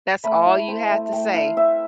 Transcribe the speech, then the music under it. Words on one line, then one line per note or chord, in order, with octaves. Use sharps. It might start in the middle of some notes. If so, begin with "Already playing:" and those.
That's all you have to say.
A3 B5
E4
C4
A3
A3 G5
E4 F5
C4 E5